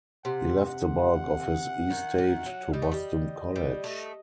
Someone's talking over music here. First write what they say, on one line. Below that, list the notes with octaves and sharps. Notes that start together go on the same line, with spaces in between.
He left the bulk of his estate to Boston College.
C3 F#5
F#5
D#3
D#3
F#3
G3 D#5
A3
G3
G3
A3